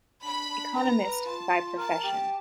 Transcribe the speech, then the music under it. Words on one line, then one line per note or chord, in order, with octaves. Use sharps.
Economist by profession.
D4 B5
D4
B4 A#5
B4
F4 A5
F4
A#4 A5
G4